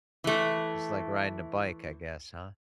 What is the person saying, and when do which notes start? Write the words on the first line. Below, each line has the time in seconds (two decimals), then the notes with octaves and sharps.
It's like riding a bike, I guess, huh?
0.24 E3 A3